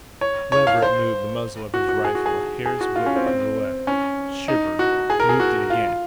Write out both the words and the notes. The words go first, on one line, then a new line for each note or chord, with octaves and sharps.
Leverett moved the muzzle of his rifle a hair's width to the left, shivered, moved it again.
C#5
C#5
F5
C5
F#4
F#4
G#4
F#4
G#4
G#4
F#4
F4
C#4
C4
C4
C#4
D#4
F#4
G#4
A#4
G#4
F#4
F4